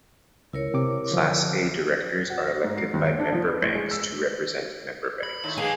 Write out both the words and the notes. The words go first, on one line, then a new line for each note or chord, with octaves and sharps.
Class A directors are elected by member banks to represent member banks.
C#2 E4 A#4 C#5
C3 D6
D3 F3
F#5
A#6
G#2
C7
D#2
D7
D4
F3
B4
A1
G#3
E6
B5
A2 D#3
G#3 A#3 G#4 B4 G#5